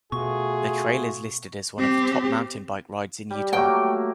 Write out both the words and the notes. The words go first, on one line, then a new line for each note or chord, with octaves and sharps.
The trail is listed as one of the top mountain bike rides in Utah.
B2 A3 F4 F#4 G#4 C#6
C4 G4
G3
F#3 A3 A#3 G5